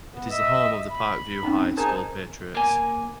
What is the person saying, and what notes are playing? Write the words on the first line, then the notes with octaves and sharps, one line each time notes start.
It is the home of the Park View High School Patriots.
B3
D#5 E5 E6
B5
C4 C#4 D#4
D#4 G#4 A#4 C5 G#5 A5
A#3 G#5